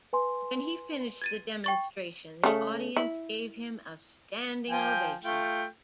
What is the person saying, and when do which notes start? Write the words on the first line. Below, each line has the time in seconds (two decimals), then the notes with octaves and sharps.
When he finished the demonstration, the audience gave him a standing ovation.
0.13 B4 G#5 C6
1.22 G#6 A6 D#7
1.64 G5 C#6 A6
2.43 C#3 A3
2.96 E4
4.70 F3 G5 G#5
5.24 A3 F4 G5